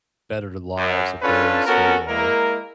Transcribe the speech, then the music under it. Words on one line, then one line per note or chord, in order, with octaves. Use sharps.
better the lives of those who are
F#2
C#4 D4 F4 A4 B4
B3 C#4 F#4 A4 A#4
G#3 A#3 E4 A#4